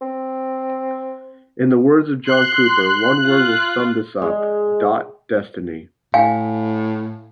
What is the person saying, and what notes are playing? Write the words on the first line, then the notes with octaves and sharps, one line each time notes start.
In the words of John Cooper, One word will sum this up.. dot destiny.
C4
C6 F#6
F4
G#3
A2 F5 G5 G#5